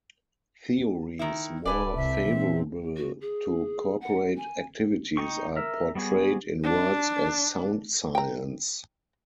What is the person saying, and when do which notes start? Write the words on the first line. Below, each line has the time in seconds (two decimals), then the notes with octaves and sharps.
Theories more favorable to corporate activities are portrayed in words as sound science.
1.19 D#3 E4
1.65 D1 A4 B4 D5 G#5
1.95 C2 C3 E5
2.26 A#2 E3 C4
2.97 F#4
3.21 G#4
4.01 F#5
4.37 G#5
5.17 D#4 G5 C#6
5.56 A#4 E5
5.95 G3 B3 F#4 G#4
6.63 D4
8.15 G5 A#5